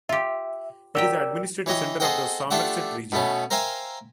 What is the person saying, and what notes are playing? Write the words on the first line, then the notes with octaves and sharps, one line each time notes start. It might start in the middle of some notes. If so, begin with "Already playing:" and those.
It is the administrative centre of the Somerset Region.
F4 G4 E5
F#3 G4 A#4 D5 G5 E6
E3 C#5 D#5 G5
G#4 A4 C5 D#5 F#5 G5
A3 D4 F4 G4 E5 F#5
B2 A3 B3 C#4
A#4 C5 E5 F5 G5 G#5